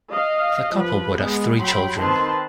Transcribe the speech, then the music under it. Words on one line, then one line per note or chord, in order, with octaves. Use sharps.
The couple would have three children.
D#5 F5
F3 B4
G#3 B3
F#3 G5 B5 C6
D#3 C4 B4 A5 C6